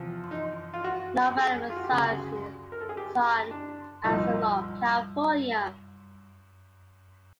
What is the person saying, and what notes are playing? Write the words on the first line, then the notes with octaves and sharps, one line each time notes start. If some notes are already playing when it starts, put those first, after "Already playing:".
Novello resides in San Anselmo, California.
Already playing: E2 C3 F3
D#4
F4
F#4
G#4
F4
F#4
G4
D2 C#3 F#3 G#4
A#4
A4
G#4
G4
D4
C2 A#2 F3 D#4